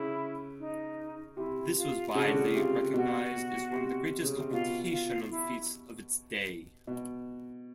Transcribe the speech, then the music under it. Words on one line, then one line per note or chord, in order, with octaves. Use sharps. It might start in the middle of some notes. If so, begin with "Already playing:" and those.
This was widely recognized as one of the greatest computational feats of its day.
Already playing: C#3 E4
D#4
C3 E4
F4
C#3 F#4
D3
C#3
C3 F4
B2 F#4
C3
C#3
C3
B2 F4
F4
E4
B2